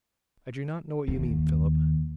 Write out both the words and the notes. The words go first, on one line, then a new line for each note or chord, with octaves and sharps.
"I do not know what you mean, Philip."
D#2